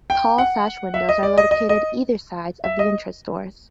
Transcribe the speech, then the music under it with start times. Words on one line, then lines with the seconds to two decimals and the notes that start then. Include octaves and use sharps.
Tall sash windows are located either side of the entrance doors.
0.10 G5
0.38 F#5
0.94 E5
1.09 D#5
1.23 D5
1.38 D#5
1.51 D#5
1.69 D#5
2.64 E5
2.79 D#5